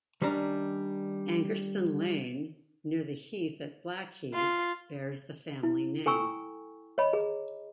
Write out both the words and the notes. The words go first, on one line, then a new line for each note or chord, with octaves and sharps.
Angerstein Lane, near the heath at Blackheath, bears the family name.
D#3 G3 C#4 D4 A#5
F4
E4
A4 G5 G#5 A#5 C#6 E6
C#5 D#5 B5
G#4 A#5